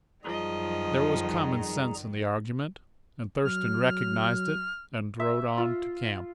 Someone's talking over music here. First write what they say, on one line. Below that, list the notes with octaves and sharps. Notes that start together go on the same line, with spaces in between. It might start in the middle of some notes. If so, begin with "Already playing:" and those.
There was common sense in the argument, and Thurston recognized it and rode on to camp.
F#2 D#3 F3 G3 G#4 D#5 A#5
F#3 F6
E5
F4